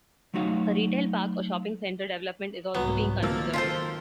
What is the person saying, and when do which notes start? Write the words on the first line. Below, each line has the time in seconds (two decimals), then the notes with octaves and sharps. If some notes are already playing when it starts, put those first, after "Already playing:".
A retail park or shopping centre development is also being considered.
0.34 F#3 A3 D#4 F#4 C#5 F5
2.75 C2 G#2 F#3 B3
3.23 D#3 F3 A#3 E6
3.54 F4 A4 C5